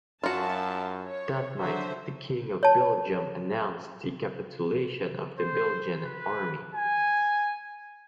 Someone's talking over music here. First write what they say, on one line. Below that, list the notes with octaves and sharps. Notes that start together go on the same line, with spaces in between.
That night the King of Belgium announced the capitulation of the Belgian army.
F#2 F4 F#4 E5 A5
C#5
D3 F#3 C5 E5
C#5 A5
C5
B4
G#5